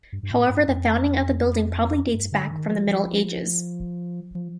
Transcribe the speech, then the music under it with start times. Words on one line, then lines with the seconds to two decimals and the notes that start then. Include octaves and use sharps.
However the founding of the building probably dates back from the Middle Ages.
0.13 G2
0.23 G2
0.30 A2
0.49 G2
0.68 F2
2.14 G2
2.32 D3
2.51 D#3
2.69 F3
2.88 F3
4.35 F3